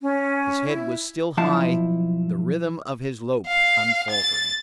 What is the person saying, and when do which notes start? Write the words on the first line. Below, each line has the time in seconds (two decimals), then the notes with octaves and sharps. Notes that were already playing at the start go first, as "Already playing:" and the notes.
His head was still high, the rhythm of his lope unfaltering.
0.01 C#4
0.67 E4
1.37 B1 F2 F3 E4 A5
3.47 F5
4.10 A6